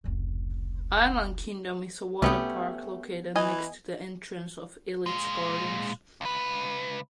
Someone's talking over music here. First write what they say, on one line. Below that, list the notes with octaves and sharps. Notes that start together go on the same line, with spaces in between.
Island Kingdom is a water park located next to the entrance of Elitch Gardens.
F1 C#2
C2 A3 B3 C#4 G4
E3 D#5 G#5
A#2 G#3
C#2 B4